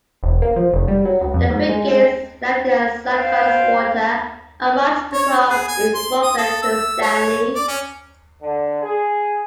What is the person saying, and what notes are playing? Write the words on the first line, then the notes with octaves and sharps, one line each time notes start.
The Brigade landed at San Carlos Water and marched across East Falkland to Stanley.
E1
A#3
F3
F1
G3
F#3
C#2
F2
G#2
G#3
G#3
C5 F5 G5
C#5
G#4
G#5
C6
D#6
A4
E6
C#5
D5
C#4
D3
G#4